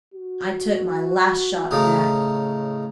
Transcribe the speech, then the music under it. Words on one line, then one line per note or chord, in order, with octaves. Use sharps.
I took my "Last Shot" back.
F#4
A2 C#3 D#4